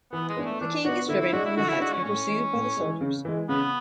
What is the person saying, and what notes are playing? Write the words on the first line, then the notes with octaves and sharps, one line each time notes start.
The king is driven from the hut and pursued by the soldiers.
E3 B3
G#3
B3 D4
A3
E3 D4
B3 D4 F#4
D3 E4
E4
G#3 D4 F#4
E4
D3 F#4
E4
G#3 D4 F#4
C#4
A2 C#4
E3 G#3
A2
E3 G#3
C#3
E3 G#3
C#3 B3